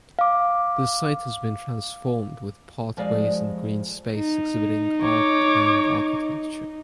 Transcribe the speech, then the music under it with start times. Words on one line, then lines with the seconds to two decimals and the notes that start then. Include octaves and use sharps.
The site has been transformed with pathways and green space exhibiting art and architecture.
0.19 F5 D6
2.97 F2 F3 G3 G#3 D5 F5
4.15 D#4
5.03 C#5 D6